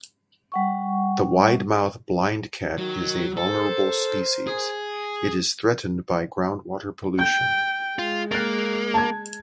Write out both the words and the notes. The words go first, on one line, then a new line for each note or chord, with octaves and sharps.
The widemouth blindcat is a vulnerable species; it is threatened by groundwater pollution.
G3 F#5 C#6
D#3 F#3
A4 A#4 C5
G#4
G5 G6
G#3 F4
A#3 F#6 A6
A5 G#6